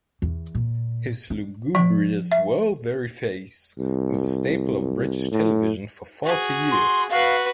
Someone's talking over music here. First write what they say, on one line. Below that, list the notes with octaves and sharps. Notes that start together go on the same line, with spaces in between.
His lugubrious world-weary face was a staple of British television for forty years.
E2
A#2
D4
F3
E5
C2
A2
F#4 G#4
C6
F#4 B4 F5